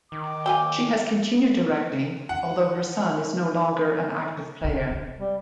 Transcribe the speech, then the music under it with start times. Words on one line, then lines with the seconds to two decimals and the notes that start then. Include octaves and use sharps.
She has continued directing, although her son is no longer an active player.
0.12 D#3 D6
0.46 F#3 A#3 G5 G#5
2.29 F#5
4.64 C#3
4.91 C3
5.19 G3